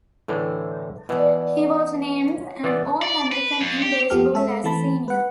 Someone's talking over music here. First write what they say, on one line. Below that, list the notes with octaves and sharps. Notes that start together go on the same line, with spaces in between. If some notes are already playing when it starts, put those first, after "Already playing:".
He was named an All-American in baseball as a senior.
A2 D3 E3 C5
B2 E3 D5 D#5
C#4
E3 B3 D5
D5
B4
F2
G4
F2 F3 B3 G4 A4 F6
G#3 A4 E5
E3 A3 C4 A5 B5
B4 F#5